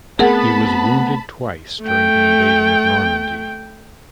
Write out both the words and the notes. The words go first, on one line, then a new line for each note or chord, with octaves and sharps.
He was wounded twice during the Invasion of Normandy.
A3 B3 C4 G#4 A#4 F#5 A5 B5
A3 G5